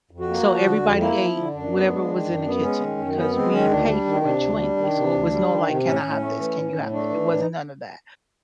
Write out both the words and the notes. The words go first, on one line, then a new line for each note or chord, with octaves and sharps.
So, everybody ate whatever was in the kitchen because we pay for it jointly, so it was no, like, "Can I have this? Can you have it?" It wasn't none of that.
F2
F#4
A#3
F3
D3
F2
A#3 E4
F3
D3
F#2 D4
B3
G#3
D#3
F#2
B3
G#3 C#4
D#3
F#2
B3 C#4
G#3 C4
D#3 C#4
D2 D4
G3
D#3
C3 D4
D2
G3
D#3
C3
D2
G3
D#3
C3
A2 C#4
A2
A3
E3
A2
A2
A3 D4
E3
A2
D#4